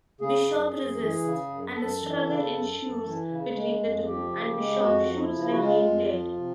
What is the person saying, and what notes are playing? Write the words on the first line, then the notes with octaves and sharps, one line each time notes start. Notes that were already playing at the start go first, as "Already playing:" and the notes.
Bishop resists, and a struggle ensues between the two, and Bishop shoots Raheem dead.
C#3 G#4
F#2
F#2
E3
C#3
F#2
F#2 A4
E3
C#3
F#2
F#2
E3
C#3
G#3
F2
F3 G4
C#3
G#3
F2 F#4
F3
D#4
E4
C#3
F#4
G#3 F4
F2
F3
C3